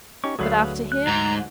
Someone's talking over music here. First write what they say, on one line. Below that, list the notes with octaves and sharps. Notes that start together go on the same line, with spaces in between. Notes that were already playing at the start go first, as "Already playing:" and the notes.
But after him?'
C#4 D#4 G4 C#6
D2 F#3 A3 G#4 B4 F5
F#6
G#2 A#5